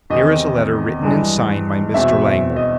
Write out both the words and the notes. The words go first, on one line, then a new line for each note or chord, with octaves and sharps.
Here is a letter written and signed by Mr. Langmore.
E2 C3 D#3 D#5
G2 E3 G#3
E2 B2 G#3 C4 E4 E5
E5
D#5